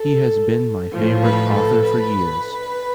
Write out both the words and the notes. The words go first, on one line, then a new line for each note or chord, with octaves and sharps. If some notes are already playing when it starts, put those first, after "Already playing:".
He has been my favourite author for years!
Already playing: A4
A2 F3
B4
A4
B4